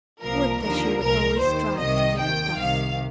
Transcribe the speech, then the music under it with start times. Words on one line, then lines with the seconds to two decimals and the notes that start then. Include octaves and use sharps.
Would that she would always strive to keep it thus.
0.21 C2 A#2 F3 A#4
0.60 D#2 D3 F3 A#4
1.00 C2 A#2 F3 A#4
1.39 D#2 D#3 C5
1.78 C2 C3 D#3 D#5
2.18 D#2 D#3 G5
2.57 C2 C3 D#3 F5